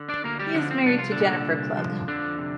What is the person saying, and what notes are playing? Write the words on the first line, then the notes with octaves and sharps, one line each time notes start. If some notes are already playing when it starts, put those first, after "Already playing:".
He is married to Jennifer Klug.
Already playing: D3
D4 D5
D2 A#3 A#4
G3 G4
D3 F3 D4
C4
C2 D4
F4
A#2 D3 D4
C2
F3
F2 D3 D4
C3